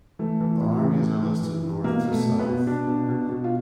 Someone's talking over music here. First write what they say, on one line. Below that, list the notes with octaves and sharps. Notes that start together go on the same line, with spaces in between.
The armies are listed north to south.
E3 A3
E3
A2
E3
A2
E3
E3
E3
B2 A#3
B2
A3
B2
B3
B2
B2 D4
B2
B2
B2
F4